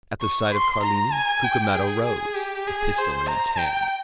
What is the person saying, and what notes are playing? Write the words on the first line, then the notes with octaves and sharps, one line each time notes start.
At the sight of Carlini, Cucumetto rose, a pistol in each hand.
C#6
C6
A#5
G#5
G5
G#4
G#4
G4
G#4
C5
A#5
G5